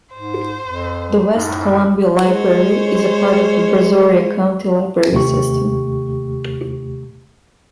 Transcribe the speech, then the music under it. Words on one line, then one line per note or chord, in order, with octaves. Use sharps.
The West Columbia Library is a part of the Brazoria County Library System.
G#2 C5
F2
F#2 A2 D#4
G#3 C5 C#5
D#2 C3 A3 G4 C#6